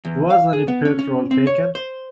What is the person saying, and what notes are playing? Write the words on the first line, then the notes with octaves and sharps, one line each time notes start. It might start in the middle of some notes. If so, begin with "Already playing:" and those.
Was any petrol taken?
E2
F5
G#4
B3
C#4
C#4
C4
C#5
C5